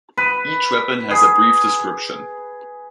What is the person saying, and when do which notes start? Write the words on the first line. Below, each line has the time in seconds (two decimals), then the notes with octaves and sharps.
Each weapon has a brief description.
0.17 B4
1.11 G#4